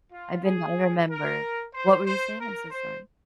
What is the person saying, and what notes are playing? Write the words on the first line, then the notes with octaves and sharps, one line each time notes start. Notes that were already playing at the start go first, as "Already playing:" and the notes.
I've been I remember What were you saying? I'm so sorry.
F4
G#4
A#4
C5
C5
A#4
C5